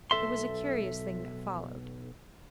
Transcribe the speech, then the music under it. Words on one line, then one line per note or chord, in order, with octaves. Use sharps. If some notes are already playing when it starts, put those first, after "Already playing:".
It was a curious thing that followed.
B1 F#3 A4 E5 C6